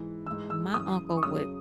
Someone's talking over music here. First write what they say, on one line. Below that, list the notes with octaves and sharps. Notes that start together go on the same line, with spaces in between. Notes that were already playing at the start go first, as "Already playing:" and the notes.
my uncle would
Already playing: G#2 E3
G#2 E3 E6
E6
F#2 C#3 E3 D#6
C#6
F#2 C#3 F#3 D#6